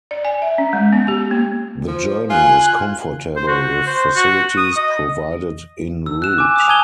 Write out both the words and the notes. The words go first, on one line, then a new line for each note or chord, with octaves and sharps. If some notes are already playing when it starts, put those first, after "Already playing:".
The journey is comfortable with facilities provided in route.
D5
G#5
E5
C#4
G#3
B3
G4
A#3
F3
F4 G#5 F#6
C5
F#4
C5
F#4
D#6
D#5
E6
F#6 E7
G#5 D6
D#6 F7
G#5 A5 D#6 G#6 D#7 G7